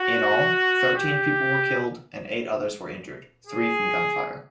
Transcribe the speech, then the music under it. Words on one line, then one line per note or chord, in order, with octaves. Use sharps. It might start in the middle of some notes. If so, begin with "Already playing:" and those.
In all, thirteen people were killed and eight others were injured, three from gunfire.
Already playing: F#4
G4
G#4